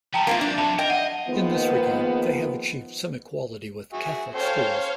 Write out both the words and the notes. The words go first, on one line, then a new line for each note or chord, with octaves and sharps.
In this regard they have achieved some equality with Catholic schools.
F3 G3 G5 A5 A#5
A#3 C4 F4
D4
F#3 C4 E5 A5 B5
A#4 D#5 G5
D#5 E5 F#5
D#3 F3 G#3 A#3 B3
F#4 G#4 E5
C#4 A4 C5 C#5 F5 G5